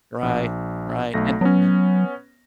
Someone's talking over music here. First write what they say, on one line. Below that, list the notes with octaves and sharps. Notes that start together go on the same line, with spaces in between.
Right, right, and Yeah.
A#1
B1 A3 A#6
F#3 B3 C#4